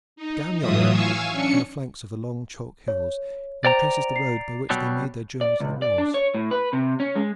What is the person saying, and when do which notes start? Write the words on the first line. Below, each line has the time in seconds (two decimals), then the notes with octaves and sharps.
Down yonder on the flanks of the long chalk hills one traces the road by which they made their journey to the wars.
0.16 D#4
0.59 A2 E3 F#3 F4 E5 D#6
0.89 F5 G#5 C#6 E6
1.32 C#4 D4 C#7
2.88 C#5
3.65 C5 D5 G5 A#5
4.16 C7
4.70 B2 F#3 G3
5.41 D5
5.60 C#2
5.82 D5
5.98 D4
6.14 C#5
6.35 A2
6.51 B4
6.73 C3
7.00 C#4
7.15 G#3